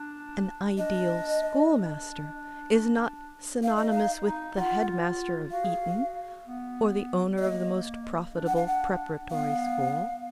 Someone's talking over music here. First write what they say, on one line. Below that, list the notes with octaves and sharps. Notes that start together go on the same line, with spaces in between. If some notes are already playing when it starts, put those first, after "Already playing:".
An ideal schoolmaster is not synonymous with the Headmaster of Eton or the owner of the most profitable preparatory school.
Already playing: D4
D4 D#5
D4
D#4 F5
D#5
D#4 F5
D#4
F4 F#5
F#4 F5
G#4
F#4
B3
D5
A#3 D#5
D4
F#5
F5
F#5
B3 F5